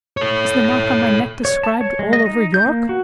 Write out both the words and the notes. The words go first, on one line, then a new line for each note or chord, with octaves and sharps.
"Is the mark on my neck described all over York?"
A4 C#5
C#5
A5
C#5
G#3
D#5
D#4
G6
A#3
F#4